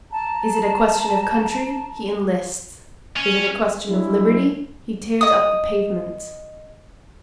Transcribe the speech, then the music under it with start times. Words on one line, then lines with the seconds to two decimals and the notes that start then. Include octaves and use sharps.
Is it a question of country, he enlists; is it a question of liberty, he tears up the pavements.
0.11 A5 A#5
3.17 C#4
3.89 F#3 G#3 D4 E4
5.21 D#5 D#6